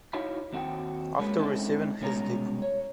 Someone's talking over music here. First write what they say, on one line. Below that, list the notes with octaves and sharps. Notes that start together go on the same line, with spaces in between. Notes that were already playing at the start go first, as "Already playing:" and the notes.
After receiving his Dip.
D#4 E4 F#4 C#5 F5 B5
D#2 C4 F#4 F#5 G5
G#3 A#3 C#4 G4 B4
G#3 C4 C#4 D#4 E4 A4
C2 B2 G#3 C#4 A#4 A#5
C#5